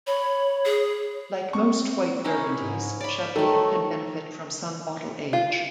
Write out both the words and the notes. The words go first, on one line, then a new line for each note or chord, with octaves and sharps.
Like most white Burgundies, Chablis can benefit from some bottle age.
C#5 B5
G#4
C4 C#6
C#4 D#4 E4
G#2
C#5 D5 B5
D#3 A3 A4
F4